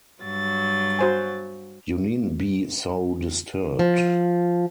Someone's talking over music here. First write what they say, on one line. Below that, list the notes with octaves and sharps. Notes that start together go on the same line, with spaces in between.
You needn’t be so disturbed.
G2 F#3 A6
F#4 C5 G#5
F3